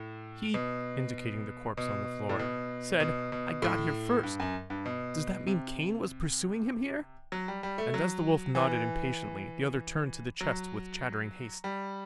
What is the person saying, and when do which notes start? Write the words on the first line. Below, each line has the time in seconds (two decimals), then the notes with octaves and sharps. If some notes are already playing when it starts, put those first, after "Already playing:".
"He," indicating the corpse on the floor, "said, 'I got here first.' Does that mean Kane was pursuing him here?" And as the Wolf nodded impatiently the other turned to the chests with chattering haste.
Already playing: A2
0.54 B2
1.77 B2
2.29 A2
2.39 B2
3.00 B2
3.32 B2
3.62 A2
4.23 G2
4.40 F#2
4.70 G2
4.86 B2
5.47 C3
7.32 F#3
7.48 G3
7.63 G3
7.78 A3
7.94 F#3
8.55 E3
10.41 F#3
11.64 G3